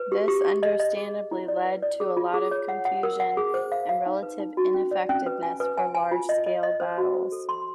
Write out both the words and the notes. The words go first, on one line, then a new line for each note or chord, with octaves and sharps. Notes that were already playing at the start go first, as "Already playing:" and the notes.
This understandably led to a lot of confusion and relative ineffectiveness for large-scale battles.
Already playing: B4
G4
G4
G4
D#5
D#5
G#4
D#5
E4
D5
B4
D5
G#4
F4
G#4
C#5
F#5
F#5
A#4
F#5
G#4
C5
F5
F5
D#4
B4
D#4
F#4
C#4
D5
C#4
B4
G#5
B4
G#5
G#5
F4
D#5
D#5
D#5
C5
F#4
C5
A4
C6